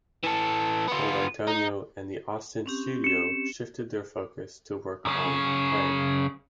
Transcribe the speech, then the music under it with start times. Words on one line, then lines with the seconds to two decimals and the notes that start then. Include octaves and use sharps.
Colantonio and the Austin studio shifted their focus to work on "Prey".
0.24 E3 A4
0.88 B3 F4
1.47 D#4
2.66 C4 C#4 G4
3.04 C#7 E7
5.05 F#2 C#3